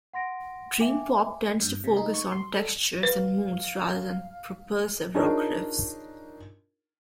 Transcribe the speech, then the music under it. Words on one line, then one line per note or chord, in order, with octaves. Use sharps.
Dream pop tends to focus on textures and moods rather than propulsive rock riffs.
F#5 C6 A#6 D7
E5 F5 G5 G#5 D6
G2
C3
D#4
C#6
C6
A4
B4 F5
D4 D#4 F4 G#4 A#4 C#5